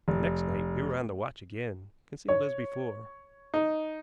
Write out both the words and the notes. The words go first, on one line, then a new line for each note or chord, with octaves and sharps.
The next night we were on the watch again, concealed as before.
F1
C#5
D#4